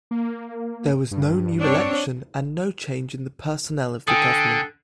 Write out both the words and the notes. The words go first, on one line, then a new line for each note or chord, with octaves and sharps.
There was no new election and no change in the personnel of the Government.
A#3
G2
C4 D4 C#5
D3 A4 G5 G#5 D#6